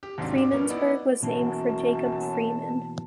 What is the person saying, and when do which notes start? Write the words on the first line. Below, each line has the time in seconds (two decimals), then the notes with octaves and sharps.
Freemansburg was named for Jacob Freeman.
0.03 G4
0.18 D#2 G#2 C3 F#3 D4 C6
0.35 D4 D6
0.51 F3 G3 A#3 B3 C#4
0.69 B3 D#4 E4 D5 F#5
1.23 F#2 B2 E3 A#3 A5